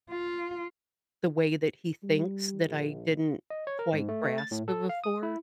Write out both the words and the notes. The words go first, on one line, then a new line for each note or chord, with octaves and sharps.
the way that he thinks, that I didn't quite grasp b before,
F4
G3
A#1
D#5
C#5
A#4
G#2
A3
A3
A6
A2
A4
F5
D#6
E4